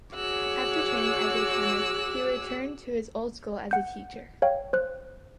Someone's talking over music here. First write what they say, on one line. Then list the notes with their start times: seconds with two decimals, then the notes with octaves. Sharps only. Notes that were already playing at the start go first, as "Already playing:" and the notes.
After training as a chemist, he returned to his old school as a teacher.
0.15 F#4 G#4 C#5 D6 E6 F#6
3.71 F#5 G6
4.42 C#5 F5 G5
4.73 C5 F#6